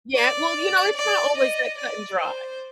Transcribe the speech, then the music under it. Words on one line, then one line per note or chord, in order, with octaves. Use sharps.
Yeah, well, you know, it's not always that cut-and-dry.
D5
D5
D#5
D5
C5